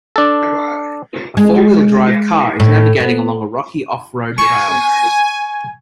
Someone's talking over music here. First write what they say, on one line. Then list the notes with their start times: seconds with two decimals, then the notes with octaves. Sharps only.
A four wheel drive car is navigating along a rocky off road trail.
0.16 D4 A4
1.37 G#3
2.60 A2
3.00 B3
4.38 G#5 C#6